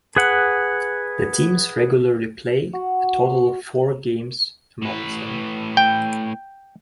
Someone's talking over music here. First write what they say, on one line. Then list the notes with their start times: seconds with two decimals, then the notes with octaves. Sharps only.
The teams regularly play a total of four games amongs them.
0.16 G#4 B4 F#5
2.73 F#4
4.82 A2 B4
5.77 G5